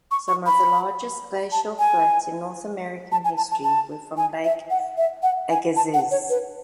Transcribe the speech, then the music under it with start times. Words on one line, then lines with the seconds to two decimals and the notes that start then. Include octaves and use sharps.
Some of the largest glacial floods in North American history were from Lake Agassiz.
0.11 C#6
0.28 C#6
0.46 B5
1.52 A5
1.79 G#5
3.12 A5
3.25 G#5
3.37 A5
3.51 A5
3.64 A5
4.17 G#5
4.44 E5
4.70 F#5
4.97 E5
5.23 F#5
5.50 G#5
5.76 A5
5.94 F#5
6.11 C#5
6.30 B4